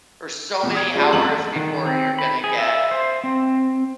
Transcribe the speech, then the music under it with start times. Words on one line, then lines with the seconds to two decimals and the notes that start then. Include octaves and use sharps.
or so many hours before you're gonna get
0.63 E2 A#2
0.75 D#6 G#6
0.93 G3 A3 C#4 F4 G#4
1.13 F2 A3 F#7
1.56 D#3
1.86 C4
2.19 B5
2.44 G#4
2.59 E5
2.91 C5
3.24 C4